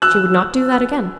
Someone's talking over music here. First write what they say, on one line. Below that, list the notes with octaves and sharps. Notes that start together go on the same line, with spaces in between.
She would not do that again.
E6 F#6